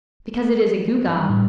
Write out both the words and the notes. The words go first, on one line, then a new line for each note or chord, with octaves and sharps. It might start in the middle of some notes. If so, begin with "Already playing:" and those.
Because it is a gewgaw.
G2 E3
A2